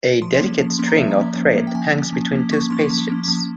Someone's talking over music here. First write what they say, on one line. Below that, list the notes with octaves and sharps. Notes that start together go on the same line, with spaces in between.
A delicate string or thread hangs between two spaceships.
F3 C6
C6
A#3 C#4
F3
A#3 C#4 C6
A#5
F3 E5
A#3 C#4
F3
A#3 C#4
G5
F3 G#5
A#3 C#4
F3
A#3 C#4
F3 C#6
A#3 C#4 C6
F3
A#3 C#4
F3